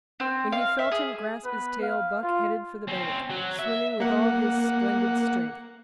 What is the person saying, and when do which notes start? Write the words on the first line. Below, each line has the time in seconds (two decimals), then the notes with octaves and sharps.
When he felt him grasp his tail, Buck headed for the bank, swimming with all his splendid strength.
0.20 C4
0.52 F5
0.79 E5
0.92 G#4
1.43 B3 B4
1.82 F5
2.23 F4
2.88 C4 C#4
3.31 F#3
3.59 E5
4.00 A#3 F#5